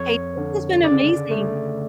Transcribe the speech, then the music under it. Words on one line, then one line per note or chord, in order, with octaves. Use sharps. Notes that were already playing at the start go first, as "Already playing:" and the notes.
Hey, this has been amazing.
Already playing: F2 C#5
D3
C#3 D5
A3